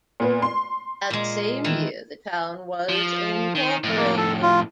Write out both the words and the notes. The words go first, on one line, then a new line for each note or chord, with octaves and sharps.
That same year, the town was incorporated.
A#2 B3
C6
A#2 G#3
D#3 E3
F3
D#3
F2 A2
A#3
A4
F4